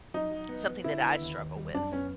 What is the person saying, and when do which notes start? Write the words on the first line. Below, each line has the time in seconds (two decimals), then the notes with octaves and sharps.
something that I struggle with.
0.14 F#3 D#4
0.31 F#3
0.49 B3
0.67 B3
0.84 D3 E4
1.02 B3
1.21 D#2
1.38 D#2
1.56 G3
1.74 F#2 D4
1.92 B3 C#4